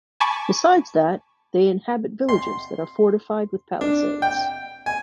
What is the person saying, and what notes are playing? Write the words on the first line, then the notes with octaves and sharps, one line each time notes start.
Besides that, they inhabit villages that are fortified with palisades.
G#5 A5 B5 C#6 D6 G#6
C6
D4
G5
G#5